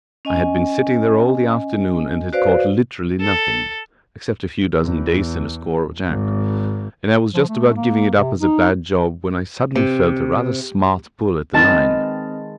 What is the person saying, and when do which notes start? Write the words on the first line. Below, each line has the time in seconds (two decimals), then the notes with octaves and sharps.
I had been sitting there all the afternoon and had caught literally nothing--except a few dozen dace and a score of jack; and I was just about giving it up as a bad job when I suddenly felt a rather smart pull at the line.
0.25 C#4 D#5 G#5
2.33 F#4 B4 C5 D5 F5
3.20 A4
4.82 E2
6.09 G#1
7.34 F3
7.49 A3
7.76 A#3
8.17 C3
8.40 D#4
9.75 C3
11.54 D#3 G#3 C4 B4 D#5 A5 F6